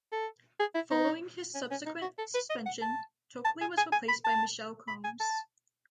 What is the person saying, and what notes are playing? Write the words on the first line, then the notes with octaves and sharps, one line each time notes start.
Following his subsequent suspension, Tokley was replaced by Michael Coombs.
A4
G#4
E4
D#4
C#4
C#4
D#4
F#4
A4
B4
D#5
F#5
A5
A5
G#5
G#5
G#5
B5
A5
B5
G#5
A5